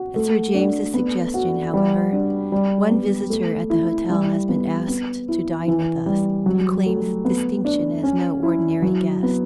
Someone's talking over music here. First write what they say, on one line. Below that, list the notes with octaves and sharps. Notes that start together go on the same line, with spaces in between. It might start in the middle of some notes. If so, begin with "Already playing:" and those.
At Sir James's suggestion, however, one visitor at the hotel has been asked to dine with us, who claims distinction as no ordinary guest.
Already playing: F#4
A3
D4
B3
F#4
G3
D4
G3
B3
A3
E4
G3
B3
B3
E4
E3
G3
F#3
A3
B3
D4
C#4
E4
F#3
B3